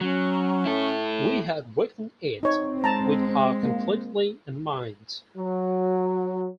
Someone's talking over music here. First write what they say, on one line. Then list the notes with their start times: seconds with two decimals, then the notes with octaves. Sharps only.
We had written it with her completely in mind.
0.01 F#3 C#4
0.65 E4 A4
2.43 C4 D#4 C#5
2.84 G#3 A5 A#5
3.63 A#3
5.37 F#3